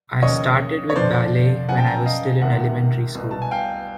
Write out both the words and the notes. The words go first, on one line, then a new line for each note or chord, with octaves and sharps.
I started with ballet when I was still in elementary school.
D#2 C#3 F3 C#5 D#5
C#5
F2 D3 F3 C5 D5
F#2 C#3 F3 F#5 G#5
G5 A5
G#5 A#5
D#5 F5
C#2 C3 D#3 E5 F#5
C2 B2
A5
G#5
F5 G5